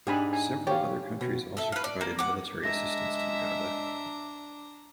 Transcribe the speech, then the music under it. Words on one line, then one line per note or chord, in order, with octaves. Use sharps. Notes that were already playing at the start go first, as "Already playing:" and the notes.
Several other countries also provided military assistance to Uganda.
G#2 D4 D#4 G4 G#5 B5
G#5
G4 C#5 F5
B2
A4 E5
B4 F5
D5
A#3
F#5 D6
G#3 D4 E5 A#5 A#6